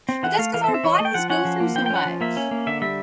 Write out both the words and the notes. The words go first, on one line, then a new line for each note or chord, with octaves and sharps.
but that's 'cause our bodies go through so much.
C4
E3 F#5
A3 F5
E3 F5
E5
C4
E5
E3 C#5
D#5
A3
G5
F3 F#5
C#4 F#5
F3
A#3
F3 G5
G5
C#4
F#5
F3
A#3 E5
C#4
A#3
D3 E5
G3 E5